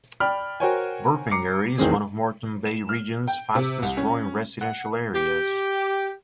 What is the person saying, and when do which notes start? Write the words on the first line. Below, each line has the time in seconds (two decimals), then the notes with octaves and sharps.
Burpengary is one of Moreton Bay region's fastest growing residential areas.
0.20 D5 G5 B5 F6
0.60 F#4 A#4 C5 C#5 G5 G#5
1.31 A#5 D6 C7 C#7
1.78 G#1 E2 A2 D#3 C4 G#4
2.65 E7
2.89 F6
3.28 G5
3.55 C3
3.83 C2
3.97 C#4
4.61 F#5
5.13 G4